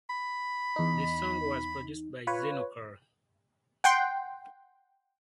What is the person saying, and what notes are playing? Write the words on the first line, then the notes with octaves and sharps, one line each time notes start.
The song was produced by Xeno Carr.
B5
E2 D#4
F4 B4 C#5
F#5 G5 C6